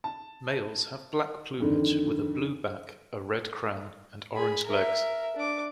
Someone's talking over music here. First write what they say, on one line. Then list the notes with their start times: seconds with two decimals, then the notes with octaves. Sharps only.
Males have black plumage with a blue back, a red crown and orange legs.
0.04 A5
1.60 F2 D3 D#3
4.35 G#4 B5
4.65 A#4 E5
5.36 D4 D6